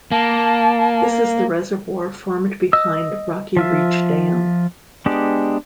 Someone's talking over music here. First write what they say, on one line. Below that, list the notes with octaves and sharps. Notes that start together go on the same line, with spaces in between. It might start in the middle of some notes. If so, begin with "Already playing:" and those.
This is the reservoir formed behind Rocky Reach Dam.
A#3 A5
D#5 E6
F3 F4 E5
G#3 B3 D4 G4